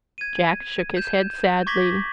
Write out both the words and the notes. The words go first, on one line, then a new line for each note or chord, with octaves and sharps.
Jack shook his head sadly.
G#6 D#7
G6 E7
C#6 D6 G#6 A#6 B6 F#7